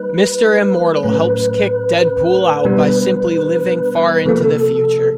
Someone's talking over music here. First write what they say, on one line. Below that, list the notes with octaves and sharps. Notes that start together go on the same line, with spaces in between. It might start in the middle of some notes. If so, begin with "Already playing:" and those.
Mr. Immortal helps kick Deadpool out by simply living far into the future.
Already playing: G3 A#3 D#4 B4
A2 F#3 A3 C#4 B4
B2 G3 B3 D4
C3 F3 A#3 A4
A#4
A4